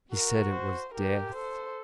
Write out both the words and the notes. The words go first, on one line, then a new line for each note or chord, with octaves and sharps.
He said it was death.
F#4 A#4
C5
G4 A#4
A4 C5